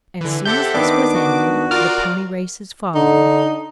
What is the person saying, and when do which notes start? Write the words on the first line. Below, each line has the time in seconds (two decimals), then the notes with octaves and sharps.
As soon as this was ended, the pony races followed.
0.21 D3 E3
0.45 C4 G4 A4 E5 F#5 G6
0.74 D#3 B3 D4 D6
1.14 F#4
1.71 F4 A#4 D5 F6
2.95 D3 D#4